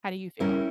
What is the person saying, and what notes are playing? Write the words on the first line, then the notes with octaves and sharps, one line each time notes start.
How do you feel?
G3 C#4 E4 A#4